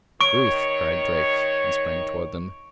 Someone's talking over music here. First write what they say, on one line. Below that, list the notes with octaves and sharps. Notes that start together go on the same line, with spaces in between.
"Ruth!" cried Drake--and sprang toward them.
D#3 C#5 C#6 D7